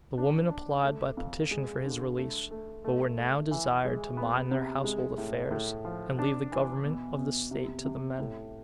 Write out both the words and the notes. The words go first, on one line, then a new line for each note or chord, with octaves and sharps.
The women applied by petition for his release; but were now desired to mind their household affairs, and leave the government of the state to the men.
D4
D4
A3
F2
G#3
D3
A3
A3
A3
A3
E3
G#3
B3
C3
G#3
A2
A2
F3
D4
E3
B2
B2
C3
C3
A2